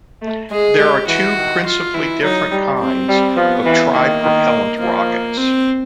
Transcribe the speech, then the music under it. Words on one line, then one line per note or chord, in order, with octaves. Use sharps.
There are two principally different kinds of tripropellant rockets.
A3
G#3 G#4
G#3 G4
E3 F#4
D#3
F4
E3 E4
F#3 D#4
G3
C4
G3
F3 B3
E3
D#3 A#3
D#3
F3 A#3
C4